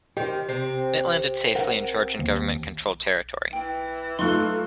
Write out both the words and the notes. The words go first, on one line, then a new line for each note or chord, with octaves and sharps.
It landed safely in Georgian government-controlled territory.
D#3 G4 C5
C3 C4
A#4 F#5
D#2
E3 G5
F#3 A3 D#4 F4 A4 C6 C#6 F#6